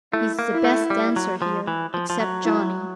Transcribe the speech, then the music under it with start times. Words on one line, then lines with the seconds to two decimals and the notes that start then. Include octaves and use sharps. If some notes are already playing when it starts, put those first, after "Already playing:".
"He's the best dancer here, except Johnny."
0.13 A3 E4
0.39 A#3
0.52 E4
0.64 A3
0.90 G3
1.16 F#3
1.42 F3
1.67 E3
1.94 F3
2.10 F3
2.20 F#3
2.45 E4